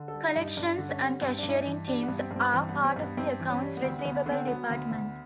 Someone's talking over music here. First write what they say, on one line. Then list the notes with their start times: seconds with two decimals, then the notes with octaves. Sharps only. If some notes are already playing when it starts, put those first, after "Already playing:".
Collections and cashiering teams are part of the accounts receivable department.
Already playing: D3
0.08 A4
0.14 G3
0.24 E4
0.35 G2
0.41 D#4
0.57 G2 D4
0.78 D3
0.89 C#4
1.00 G3
1.21 G2 C4
1.38 G2 D4
1.49 E4
1.54 D#4
1.65 E3
1.87 G3 D4
2.03 B3
2.08 G2
2.19 C4
2.31 G2
2.36 C4
2.53 E3 C4
2.69 G3 B3
2.84 C4
2.96 G2
3.02 B3
3.17 G2 C4
3.39 E3
3.50 C#4
3.62 G3
3.77 B3
3.82 D2 C4
3.99 B3
4.05 D2
4.15 B3
4.26 D3
4.31 C4
4.47 F#3 B3
4.70 D2
4.91 D2